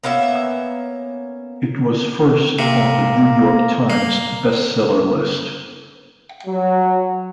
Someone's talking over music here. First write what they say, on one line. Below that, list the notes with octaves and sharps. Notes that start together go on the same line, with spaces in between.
It was first on the "New York Times" Best Seller list.
A#3 B3 C#4 E5
C3 A#3
A#3
F#3